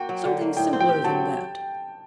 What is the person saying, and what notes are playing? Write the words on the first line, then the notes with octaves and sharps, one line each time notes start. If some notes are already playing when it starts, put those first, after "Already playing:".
Something simpler than that.
Already playing: A#3 F#4 G5
F#3
D3
A#3
A2 G5
C4
G5
G4
F#3 A5